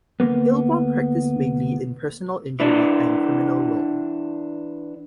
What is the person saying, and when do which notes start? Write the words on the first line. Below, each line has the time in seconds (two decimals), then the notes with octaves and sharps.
Heilbron practised mainly in personal injury and criminal law.
0.20 D2 A#3 B3
2.60 E3 D4